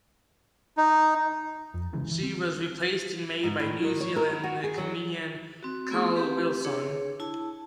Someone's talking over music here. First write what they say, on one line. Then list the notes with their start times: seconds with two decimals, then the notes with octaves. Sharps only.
She was replaced in May by New Zealand comedian Cal Wilson.
0.77 D#4
1.74 F2
1.93 C2 C#3 E3 G#3
2.11 E3
2.23 C4
3.43 G#2
3.60 A2
3.83 D#3
4.00 C#5
4.16 A#4
4.29 B3
4.44 F#4
4.64 G#4
4.78 F#3
5.63 C4 F#4
5.90 A3 B3 E4 G#4 C#6 D6
6.16 C4 G4 B4
6.65 D4 G#4 C#5
7.20 E4 A5